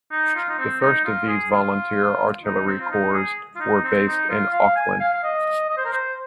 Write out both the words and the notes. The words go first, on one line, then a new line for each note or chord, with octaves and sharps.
The first of these Volunteer Artillery Corps were based in Auckland.
D#4
F4
D#4
C4
D#4
F4
G#4
F4
D#4
C4
F4
D#4
G#4
F4
D#4
C4
D#4
F4
F5
G#5
F5
F5
D#5
D#5
C5
A#4
C5